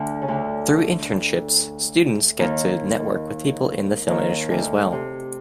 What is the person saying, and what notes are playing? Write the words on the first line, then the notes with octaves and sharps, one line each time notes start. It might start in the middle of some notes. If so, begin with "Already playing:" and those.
Through internships, students get to network with people in the film industry as well.
Already playing: D2 D3
C#3
D2 D3
D#2 D#3
D#2 D#3
D2 D3
C3